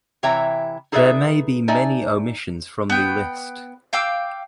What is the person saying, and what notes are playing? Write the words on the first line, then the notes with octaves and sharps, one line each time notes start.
There may be many omissions from the list.
C3 E3 C#5 E5 G5 A#5
D#4 G#4 A4 B4 D5 E5
D#4 D5 E5 G#5 A5
B3 G5
F5 G5 D6 E6